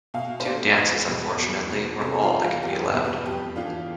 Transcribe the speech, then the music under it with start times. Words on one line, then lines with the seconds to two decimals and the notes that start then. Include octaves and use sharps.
Two dances, unfortunately, were all that could be allowed.
0.14 B2 F5
0.40 C5
0.45 A3 D4 D5
0.76 E2 B4
1.07 B2 G3 B3
1.38 E2
1.70 B2 B3
2.01 C3 A4
2.22 F4
2.33 E3 G3
2.43 F4
2.63 E2 G4
2.84 B4
2.94 B2 G3
3.04 B4
3.26 F2 G4
3.56 E3 B3 D4 F4